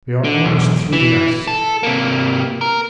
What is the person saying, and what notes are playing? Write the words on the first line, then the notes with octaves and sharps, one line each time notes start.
We are almost through the ice.
D3
B1 E2
E3
A4
C3 A#3
A#4